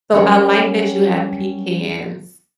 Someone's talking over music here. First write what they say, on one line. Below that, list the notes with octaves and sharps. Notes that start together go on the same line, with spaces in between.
So, I like that you have pecans,
F#3 G3 C#4 D4 A#4 C#5